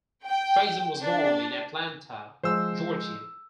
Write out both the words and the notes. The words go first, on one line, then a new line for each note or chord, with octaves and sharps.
Fason was born in Atlanta, Georgia.
G5
D4
F3 G#3 C5 E6